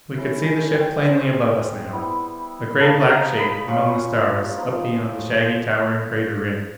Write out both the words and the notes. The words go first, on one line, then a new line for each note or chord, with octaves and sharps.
We could see the ship plainly above us now, a gray-black shape among the stars up beyond the shaggy, towering crater rim.
A3 C#4 E4
G#5
G5
G#3 C4 D#4
G3 B3 E4
G3 A#3 D#4 A5
A#5
B5
A#3 C#4 F4 C#6
F3 A#3 D#4